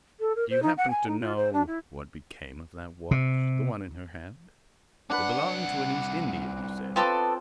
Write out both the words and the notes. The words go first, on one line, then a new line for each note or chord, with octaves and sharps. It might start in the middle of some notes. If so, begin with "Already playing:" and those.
"Do you happen to know what became of that watch--the one in her hand? It belonged to an East Indian, you said."
A4
A#4
C5
D#4
F#5
G#5
D#4
F4
C5
D4
E4
C3
C2 D4 B4 F#5
B3 C4 F4 A4 D5